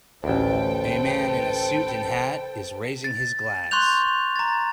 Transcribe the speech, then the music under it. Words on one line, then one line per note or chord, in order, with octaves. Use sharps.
A man in a suit and hat is raising his glass.
A1 D2 A4 B4 C5 G5
A6
C6 C#6 F#6 G6 F7
A#5 A6